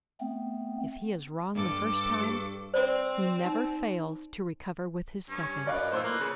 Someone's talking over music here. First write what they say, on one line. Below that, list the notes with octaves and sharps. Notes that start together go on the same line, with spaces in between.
If he is wrong the first time, he never fails to recover with his second.
A3 B3 C4
G2 A4 D6
F#4 G4
C4 C5 D5
D#4
G2 C#4
F#2 B4 D5 D#5 F5
A2 C5 C6 E6
A#3 B4
C#3